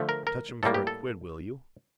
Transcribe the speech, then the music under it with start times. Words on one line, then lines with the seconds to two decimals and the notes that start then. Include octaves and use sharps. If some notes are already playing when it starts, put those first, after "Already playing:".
Touch him for a quid, will you?
Already playing: D3 F3 A3
0.09 A#4
0.27 A#4
0.63 A2 G3 A#3 A4
0.74 G4
0.87 A4